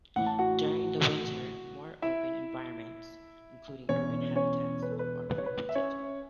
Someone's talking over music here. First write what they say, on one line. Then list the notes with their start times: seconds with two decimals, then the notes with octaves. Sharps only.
During the winter more open environments, including urban habitats, are frequented.
0.16 A1 A2 E3 F#5
0.27 A5
0.39 F#4 F#5
2.02 E4 E5
3.89 E1 E2 E3 C#4 C#5
4.36 C#4 C#5
4.82 B4
4.91 A4
4.99 B4
5.30 B4
5.38 C#5
5.46 B4
5.69 E5
5.75 C#4 C#5